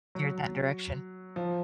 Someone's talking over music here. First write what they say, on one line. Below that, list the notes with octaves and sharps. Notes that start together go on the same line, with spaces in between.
You're that direction.
F#3
F3